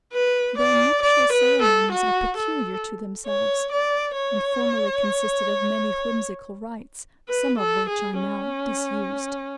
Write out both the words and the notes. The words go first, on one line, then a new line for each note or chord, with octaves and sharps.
Their nuptial ceremonies are peculiar to themselves; and formerly consisted of many whimsical rites, some of which are now disused.
B4
D5
D5
B4
A4
F#4
A4
C#5
D5
C#5
B4
A4
G#4
C#4